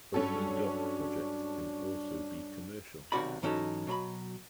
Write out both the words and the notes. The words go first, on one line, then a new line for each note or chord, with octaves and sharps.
OpenDoc project can also be commercial.
G2 F#3 C#4 D4 A4
B1 C3 D#3 F#4 D5 B5
G#2 E3 F#3 C#4 D#4 A4
B2 F#3 A#5 B5